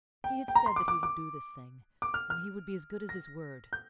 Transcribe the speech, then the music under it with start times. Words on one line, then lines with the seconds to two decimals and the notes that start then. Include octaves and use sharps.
He had said that he would do this thing, and he would be as good as his word.
0.24 G5
0.48 G5
0.55 A#5
0.66 C6
0.76 D6
0.88 D6
1.03 D6
2.02 D6
2.14 F6
2.30 F6
3.09 A#6
3.73 G6